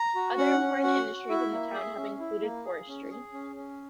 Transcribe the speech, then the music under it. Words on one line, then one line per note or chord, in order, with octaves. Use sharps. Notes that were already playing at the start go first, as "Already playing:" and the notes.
Other important industries in the town have included forestry.
Already playing: A#5
F#4
C#4 F#5
C#4
F#4 F#5
F#4
E4 E5
A#3
G#4
C#4
E4
A#3
G#4
C#4
G#4
C#4
C#4